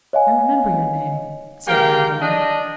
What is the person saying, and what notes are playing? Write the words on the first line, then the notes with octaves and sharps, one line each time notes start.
"I remember your name," said Magdalen.
C#5 D#5 F5 G#5
G#3 A#3 G4 A#4 F5 G5
D4 D#5